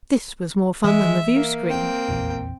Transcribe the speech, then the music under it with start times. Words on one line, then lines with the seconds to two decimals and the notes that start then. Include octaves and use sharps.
This was more fun than the viewscreen.
0.84 E3 G#3 E5
1.36 A#3
1.67 C4 G5
2.08 F1 A#1 E2